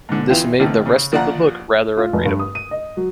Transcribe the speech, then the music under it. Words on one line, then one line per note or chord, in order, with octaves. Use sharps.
This made the rest of the book rather unreadable.
G#2 D3
E2 E3 F4 G5
A1 D3 D#3 A3 C4
C#3
A#1 F3 D5 F5 F#5 A#5
F4
F1
G2
D#6
D#7
D#5
F#3